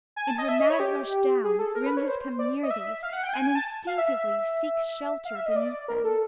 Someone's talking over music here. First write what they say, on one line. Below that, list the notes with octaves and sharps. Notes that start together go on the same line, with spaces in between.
In her mad rush down, Grim has come near these, and instinctively seeks shelter beneath them.
G#5
A5
D#5
E5
D#5
C#5
G4
G#4
A4
A#4
B4
C#5
C5
D5
D#5
E5
F5
F#5
G5
G#5
G#5
A5
F5
E5
F5
E5
D#5
D5
A#4
A4